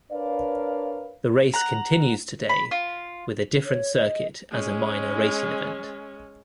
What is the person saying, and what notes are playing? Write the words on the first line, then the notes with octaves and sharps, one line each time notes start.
The race continues today with a different circuit as a minor racing event.
D4 A#4 B4 C#5 D5 F5
F#5 A#5
B5
F4
C#5
D#5
G#3 C#4